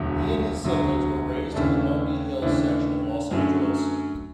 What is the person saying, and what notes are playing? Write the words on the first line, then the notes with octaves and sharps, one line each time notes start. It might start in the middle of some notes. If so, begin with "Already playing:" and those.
He and his siblings were raised in the Holmby Hills section of Los Angeles.
Already playing: E1 D2 D3 F#3
E1 D2 D3 F#3
D#2 C#3 E3 A3 D4
D#2 C#3 E3 A3 D4
F#2 D3 F#3 A3